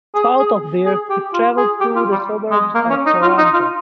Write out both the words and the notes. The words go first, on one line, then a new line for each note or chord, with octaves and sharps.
South of there, it travelled through the suburbs of Toronto.
G#4
G#4
G#4
G4
F4
G#4
G4
F4
G3
G#3
A#3
C#4
D#4
F4
D#4
F4